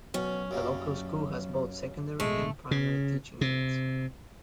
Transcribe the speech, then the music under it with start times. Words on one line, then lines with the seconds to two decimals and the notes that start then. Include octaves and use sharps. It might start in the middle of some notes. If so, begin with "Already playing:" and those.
The local school has both secondary and primary teaching units.
0.14 B2 F#3 C#4
0.51 F#2 G3 A#3
2.20 A1 B2 G#3 A3
2.71 C#3
3.41 C3